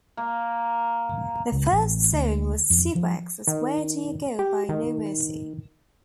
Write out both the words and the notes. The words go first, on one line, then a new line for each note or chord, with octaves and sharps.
The first song as "SuperX" was "Where Do You Go" by No Mercy.
A#3
C#2
A1
D2
F2
F3
D#3
G4
D#3